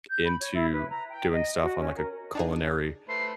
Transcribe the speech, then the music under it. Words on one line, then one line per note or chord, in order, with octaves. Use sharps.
into doing stuff on, like, a culinary
G6
B5
C#5
E4
B4
A#5
G5
D#5
F#4
C#4
A#4
D4 D#4 G#4
A3 B4 C5 C7